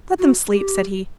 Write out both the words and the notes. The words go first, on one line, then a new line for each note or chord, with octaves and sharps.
"Let them sleep," said he.
F#4
G4